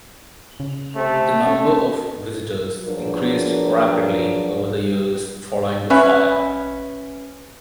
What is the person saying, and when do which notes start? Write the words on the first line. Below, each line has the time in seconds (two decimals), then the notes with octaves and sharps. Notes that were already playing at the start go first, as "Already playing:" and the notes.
The number of visitors increased rapidly over the years following the fire.
0.60 C#3
0.96 C3 A3
1.46 C#4 A4
2.86 F3 F#3 D4 G#4 A#4 B4
5.90 C#4 B4 E5